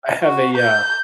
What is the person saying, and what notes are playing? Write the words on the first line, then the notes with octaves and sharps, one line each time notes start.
I have a, uh
F#4
G6